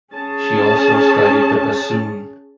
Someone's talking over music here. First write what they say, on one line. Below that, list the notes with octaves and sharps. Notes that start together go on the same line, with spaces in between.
She also studied the bassoon.
C#4 G#4 A5